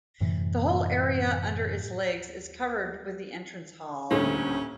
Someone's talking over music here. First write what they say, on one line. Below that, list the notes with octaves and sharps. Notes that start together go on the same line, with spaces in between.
The whole area under its legs is covered with the entrance hall.
F#2 A2 C3 E3
D#1 D2 A2 C#4